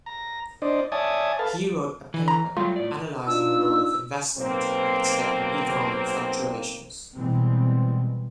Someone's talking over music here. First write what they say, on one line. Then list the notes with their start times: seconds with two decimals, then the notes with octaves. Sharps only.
He wrote a paper analyzing the role of investment in explaining economic fluctuations.
0.06 A#5
0.62 D4 C5 D5 D#5
0.92 C#5 D5 E5 G#5 A5 D#6
1.39 A4 B4 F5 A5
2.14 E3
2.28 A#5
2.57 F#3 G3 A3 F4
2.76 A2 D5
3.27 D4 D#4 F4 E6
4.37 B1 A#3 C4
7.16 B2 E3 G3 G#3 C4